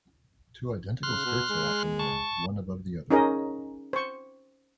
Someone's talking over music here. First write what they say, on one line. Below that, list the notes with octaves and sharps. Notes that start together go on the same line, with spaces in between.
Two identical skirts are often worn, one above the other.
C#3 C6 F6 F#6
B2
G#3
A5 C#6
C#4 D#4 G#4 A#4 D#5
C5 C#6